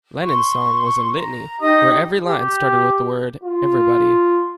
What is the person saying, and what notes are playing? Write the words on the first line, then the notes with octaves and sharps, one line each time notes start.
Lennon's song was a litany where every line started with the word "everybody".
C6 C#6
A#5
D#4 G4 D#5 D#6
G4
F4